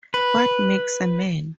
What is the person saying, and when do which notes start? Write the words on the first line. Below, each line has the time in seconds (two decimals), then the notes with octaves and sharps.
What Makes a Man?
0.14 B4